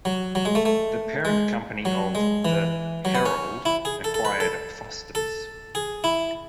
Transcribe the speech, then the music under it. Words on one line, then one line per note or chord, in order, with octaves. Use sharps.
The parent company of the "Herald" acquired "Foster's".
F#3
F#3
G#3
A3
A3
G#3
F#3
G#3
E3
F#3
B3
C#4
E4
G#4
A4
A4
B4
A4
A4
G#4
E4